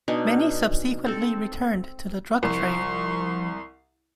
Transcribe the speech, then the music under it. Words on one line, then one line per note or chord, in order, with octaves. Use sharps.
Many subsequently returned to the drug trade.
B2 D4 D#4 G#5
C4 A4
C2 F3 C6 C#6